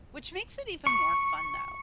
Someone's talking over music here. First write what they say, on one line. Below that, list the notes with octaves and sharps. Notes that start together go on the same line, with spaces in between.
Which makes it even more fun though.
C#6